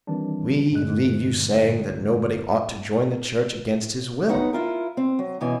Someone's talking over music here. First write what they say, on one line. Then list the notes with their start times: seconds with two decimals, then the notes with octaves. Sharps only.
We leave you saying that nobody ought to join the Church against his will.
0.07 D#3 E3 G3 C4 D4
0.72 G2 A#2 D3 G#3 F#6
4.28 F#3 B3 D#4 F#5
4.53 E4 F4 A#4
4.97 C4
5.19 F#3
5.41 F#2 B2 E3 G#5